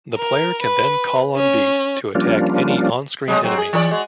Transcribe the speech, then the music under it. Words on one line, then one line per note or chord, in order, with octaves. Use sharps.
The player can then call on Beat to attack any onscreen enemies.
A#4
B4
C#4
F3 G3 A#3 C#4 D4 F4
A#2 F#3 G#3
F#3 C4
G#4
E3 A4 D5
G#3 F#4